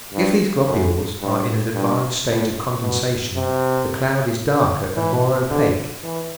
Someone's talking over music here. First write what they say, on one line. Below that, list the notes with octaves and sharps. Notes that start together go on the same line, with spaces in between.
If these globules are in an advanced stage of condensation the cloud is darker and more opaque.
G2
F#2
G2
G2
A2
B2
C3
E3
D3
E3